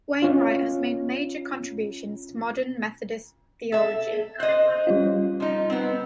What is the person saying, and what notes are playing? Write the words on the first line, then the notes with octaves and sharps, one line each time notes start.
Wainwright has made major contributions to modern Methodist theology.
C#4 F4
A4 E5
C5 D#5 F#6
G3 C#4 F4
F3 D#4
B3 C4